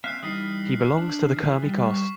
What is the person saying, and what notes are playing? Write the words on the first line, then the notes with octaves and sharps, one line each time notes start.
He belongs to the Kurmi caste.
C4 E5 F5 F6 F#6 C7
E3 G3 D#4 D#6 B6 C7
D4
E3
G3
C#6